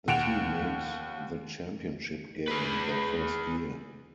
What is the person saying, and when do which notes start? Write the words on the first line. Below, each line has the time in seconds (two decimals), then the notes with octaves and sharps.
The team made the championship game their first year.
0.08 D#2 F#5 D7 E7 F7
2.48 G#4 B4